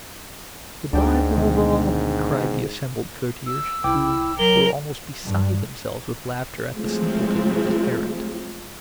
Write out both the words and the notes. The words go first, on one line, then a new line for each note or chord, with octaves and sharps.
"Good-bye, Bobo," cried the assembled courtiers, who were almost beside themselves with laughter at the simpleton and his errand.
D2 G#2 D4 G5
B2 D3 D#3
E6
C2 E4 G5 D6
F#3 A#4 G7
G2
F3 F#3 G#3 A3 C4 E4